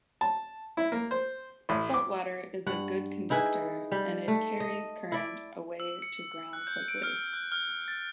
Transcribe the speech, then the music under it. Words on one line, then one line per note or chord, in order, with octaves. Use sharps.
Salt water is a good conductor and it carries current away to ground quickly.
A5
E4
A#3
C5
A1
D6
G2 F#5
D#4 E4 G#4 B4
G3
A3
D#5
E4 D5
E6
C#7
F#6
G6
D7
F6
F#6
F6
A6